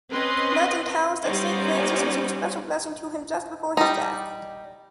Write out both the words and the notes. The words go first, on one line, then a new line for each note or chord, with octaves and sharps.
Legend tells that St. Francis issued a special blessing to him just before his death.
C4 C#4 B4 D#5 C6
G3 B3 C#4 D#4 C5 D5
G3 D#4